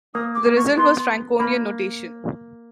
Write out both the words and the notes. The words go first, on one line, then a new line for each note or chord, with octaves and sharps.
The result was Franconian notation.
A#3 D#6
D6
A#3
C#6
B3 C6
A#3 B5